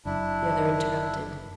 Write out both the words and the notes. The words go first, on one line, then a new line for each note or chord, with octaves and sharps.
The other interrupted.
F#1 F#2 D4 E4